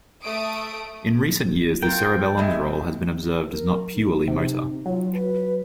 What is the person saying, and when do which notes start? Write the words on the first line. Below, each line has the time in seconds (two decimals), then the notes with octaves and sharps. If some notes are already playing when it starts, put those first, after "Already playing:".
In recent years the cerebellum's role has been observed as not purely motor.
0.23 A3 D#6 D7
1.83 F4 A#4 G5
2.37 G3 G#3 E5
3.51 A#4
3.94 D#4
4.27 C3
4.86 F#3 F4
5.13 B4